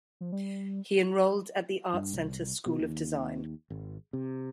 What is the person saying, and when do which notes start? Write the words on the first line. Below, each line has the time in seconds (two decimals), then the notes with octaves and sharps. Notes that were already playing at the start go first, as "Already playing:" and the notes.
He enrolled at the Art Center School of Design.
0.21 F3
0.32 G3
1.94 G2
2.13 C2
2.66 B2
2.80 D#2
3.70 G#1
4.13 C3